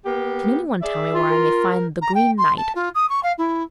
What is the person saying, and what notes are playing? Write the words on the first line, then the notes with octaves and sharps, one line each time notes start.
'Can anyone tell me where I may find the Green Knight?'
A#3 B3 G4
G#4 D5 E5
F4
A#4
A#5
G5
C6
A5
F4
D#6
C#6
F5
E4